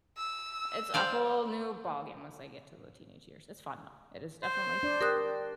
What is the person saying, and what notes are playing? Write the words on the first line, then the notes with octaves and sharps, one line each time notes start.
it's a whole new ballgame once they get to the teenage years, it's fun, though, it is definitely f
E6
C5 D5 F5
C5
D4 D5
G4 A#4 D#6 F#6